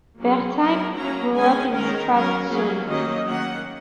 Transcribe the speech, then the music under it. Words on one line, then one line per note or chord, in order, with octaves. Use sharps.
Wertheim grew up in Stralsund.
F#3 A#3 C#4 G#4
F#3 C#4 A#4
F#3 A#3 C#4 A#5
D#3 G#3 C#4 G#5
D#3 G#3 C#4 A#4
F#3 C#4 A#4
F#3 A#3 C#4 G#4
D#3 F#3 A#3 C#4 D#5
D#3 A#3 C#4 F#5